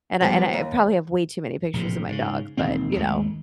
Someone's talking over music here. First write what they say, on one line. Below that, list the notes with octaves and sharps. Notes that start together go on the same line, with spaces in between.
and I and I probably have way too many pictures of my dog, but, you know,
F3 G3 B3
D#2
A#1 A2 C3
G#2 C#3
E1 D#2 D#3 C4
G#1 D#2 G#3 A3